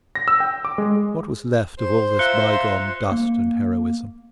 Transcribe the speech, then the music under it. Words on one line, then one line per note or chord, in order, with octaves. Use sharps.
What was left of all this bygone dust and heroism?
A#6
E6
G5
D6
G#3
C5
F4 E5 A#5 F#6 C#7 G7
A#3